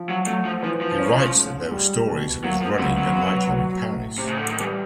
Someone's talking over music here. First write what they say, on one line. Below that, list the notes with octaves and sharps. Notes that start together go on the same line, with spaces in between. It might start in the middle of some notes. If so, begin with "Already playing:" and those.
He writes that there were stories of his running a nightclub in Paris.
Already playing: F3
F#3
F#3 A3
F3
E3 F3
F3
C#4
G#2
G3
B2
F#3 A#3
F3
C#2 F#3
F#3
B3
F#3
A2
C3
A2 C#3
D3
D#3
E3 G3